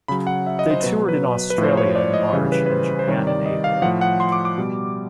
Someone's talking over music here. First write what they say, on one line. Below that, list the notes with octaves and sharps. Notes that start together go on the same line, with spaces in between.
They toured in Australia in March and Japan in April.
C#3 F#3 B5
F#5
E5
D#5
C5
B2 F#3 B4
B4
B4
A2 F3
C5
C#5
D5
D#5
C#3 E3 G3
B4
B4
C5
C5
C3 D#3 G3 C#5
D5
D#5
F5
A2 F3 F#5
F#5
C6
D6
D6
B2 G3